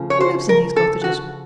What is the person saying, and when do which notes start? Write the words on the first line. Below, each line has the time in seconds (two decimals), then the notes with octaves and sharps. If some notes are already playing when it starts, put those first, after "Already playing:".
Who lives in these cottages?'
Already playing: C#3 F3 A3
0.10 C#5
0.20 C5
0.49 A#4
0.77 A4
1.04 F#4